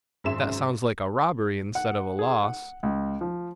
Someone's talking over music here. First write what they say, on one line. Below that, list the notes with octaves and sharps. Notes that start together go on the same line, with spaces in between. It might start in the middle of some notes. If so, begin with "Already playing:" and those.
"That sounds like a robbery instead of a loss."
G#1 F#2 G#4 E5 C6 E7
F#5
G#4
F#5
C#2
F3